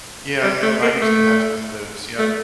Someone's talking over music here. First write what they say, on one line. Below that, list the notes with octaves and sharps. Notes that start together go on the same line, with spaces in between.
Yeah, I know, I used to have some of those, yup.
G3
A3
A#3
A3
A3